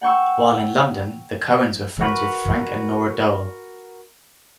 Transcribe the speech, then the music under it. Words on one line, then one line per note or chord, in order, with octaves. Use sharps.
While in London, the Cohens were friends with Frank and Nora Doel.
F#5 G5 C#6 E6
F#4 A#4 B4 B5 C#6